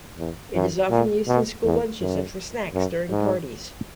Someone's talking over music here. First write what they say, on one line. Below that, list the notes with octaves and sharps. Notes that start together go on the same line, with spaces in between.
It is often used in school lunches and for snacks during parties.
E2
F#2
A#2
B2
E2
F#2
F#2
G#2